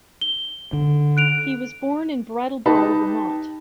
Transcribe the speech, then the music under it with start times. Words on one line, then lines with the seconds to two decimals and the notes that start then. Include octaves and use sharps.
He was born in Brattleboro, Vermont.
0.21 G7
0.73 D3
1.17 F#6 D7 F7
2.66 D#4 G4 B4 A5 B5